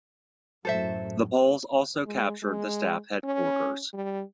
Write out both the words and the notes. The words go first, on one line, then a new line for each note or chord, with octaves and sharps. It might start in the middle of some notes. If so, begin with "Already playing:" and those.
The Poles also captured the staff headquarters.
F#2 A2 F#3 A4 C5 E5
G#3
G#3
C#4
G3